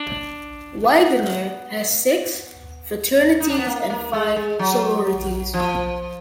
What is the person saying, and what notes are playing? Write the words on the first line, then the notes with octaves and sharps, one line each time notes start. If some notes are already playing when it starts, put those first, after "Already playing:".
Widener has six fraternities and five sororities.
Already playing: D4
B3
D#4
D4
B3
A#3
A#3
G#3
G#3
F#3
F3